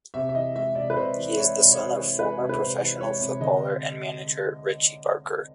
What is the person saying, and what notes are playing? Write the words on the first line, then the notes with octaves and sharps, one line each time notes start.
He is the son of former professional footballer and manager Richie Barker.
C3 E5
E5
E3 D#5
G#3 E5
C3 D5
B4
C3 C5
E3
G#3 C#5
C3
C#5
C3 C5
E3
G#3 B4
C3
B4
C3 C5
E3
G#3 C#5
C3
D3 D#5